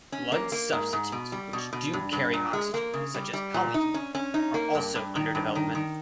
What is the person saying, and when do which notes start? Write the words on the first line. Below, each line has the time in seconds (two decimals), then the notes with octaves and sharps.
Blood substitutes which do carry oxygen, such as PolyHeme, are also under development.
0.12 C#4
0.32 A#3
0.52 A#3
0.73 G#2
0.93 G#2
1.12 B2
1.32 G3
1.53 B2
1.73 B2
1.93 G2
2.13 G2
2.33 A#2
2.53 G#3
2.74 A#3
2.94 C#3
3.14 G3
3.33 G3
3.54 A#2
3.74 D#4
3.94 C#4
4.15 C#4
4.34 D#4
4.54 A#3
4.75 G2
4.95 G2
5.15 D#3
5.35 G2
5.55 D#3
5.75 D#3